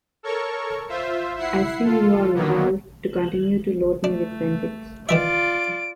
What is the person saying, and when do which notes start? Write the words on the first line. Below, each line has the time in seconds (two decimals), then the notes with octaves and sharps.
I see you are resolved to continue to load me with benefits.
0.23 A4 A#4 C#5 C#6
0.89 F4 C5 E5
1.36 E4 E5 F#5 C7
1.84 F4 A4
2.34 D3 D#3 F#3 A#3 B3
4.04 A3 D4
5.09 D#3 E3 F4 D5 E5 D7